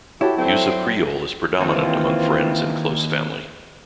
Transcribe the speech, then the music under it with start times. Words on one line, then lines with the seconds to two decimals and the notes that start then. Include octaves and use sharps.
Use of Creole is predominant among friends and close family.
0.21 E4 F#4 G4 A4 C#5
0.38 D3 F#3 A3 C4
1.60 D#2 E3 C4 F4